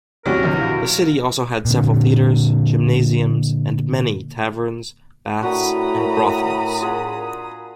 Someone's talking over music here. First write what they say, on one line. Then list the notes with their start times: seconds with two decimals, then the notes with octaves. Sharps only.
The city also had several theatres, gymnasiums, and many taverns, baths and brothels.
0.26 D#2 A2 C3 F#3 G3 C#4 A#4
0.43 A#1 E2
0.58 E4 F#4 F5
1.65 A#2 D3
5.41 A2 D4 F#4 A#4 G5 A#5 B5 D#6
6.81 F4 G#4 F#5